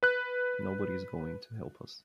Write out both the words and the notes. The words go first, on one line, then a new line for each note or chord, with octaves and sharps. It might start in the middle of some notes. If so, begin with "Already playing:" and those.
Nobody's going to help us.
B4 F#6